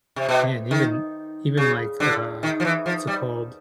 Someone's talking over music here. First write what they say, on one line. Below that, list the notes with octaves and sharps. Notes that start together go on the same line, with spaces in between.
Man, even even, like, uh what's it called?
C3
B2
D#3
C#3
D3
D#3
F3
E3
F3
G3